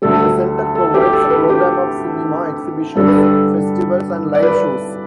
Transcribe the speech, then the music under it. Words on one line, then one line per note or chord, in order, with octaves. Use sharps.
The centre provides a programme of cinema, exhibitions, festivals and live shows.
D2 D3 G3 A4
A4
G4
A4
B4
G4
G2 D3 G3 D4 A4
B4
A4
D5
B4